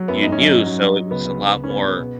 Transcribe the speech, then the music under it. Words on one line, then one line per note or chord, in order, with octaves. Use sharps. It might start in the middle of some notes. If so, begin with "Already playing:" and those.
you knew, so it was a lot more
Already playing: F#3
F#2 B3
G#2 D#4
C#4
F#3 D#4
G#2
F#3
F#3
F#3
C#2 B3
C#2
C#2
C#2
C#4
C#3 B3
C#2
B2